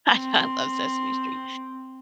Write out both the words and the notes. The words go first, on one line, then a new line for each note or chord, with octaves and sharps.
I I love Sesame Street.
C4